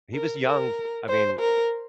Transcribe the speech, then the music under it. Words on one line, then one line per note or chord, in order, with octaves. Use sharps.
He was young, I mea
A#4
A#4
C5
A#4